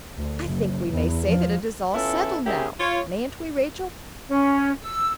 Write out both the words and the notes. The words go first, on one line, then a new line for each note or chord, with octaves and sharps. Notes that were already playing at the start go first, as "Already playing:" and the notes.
I think we may say that it is all settled now;--mayn't we, Rachel?
D2
F#1
E2
F3
B3 C#4 E4 F4 A4
A#3 C#4 E4 G4 G#4
F4 C#5
C#4
E6